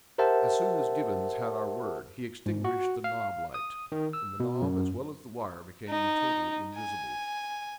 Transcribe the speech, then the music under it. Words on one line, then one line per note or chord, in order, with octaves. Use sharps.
As soon as Gibbons had our word, he extinguished the knob light, and the knob, as well as the wire, became totally invisible.
G4 A#4 C5 E5 F#5 A5
G#2
F#4
F5
D#6
D#3
E6
B2
F#2
D#4
G#5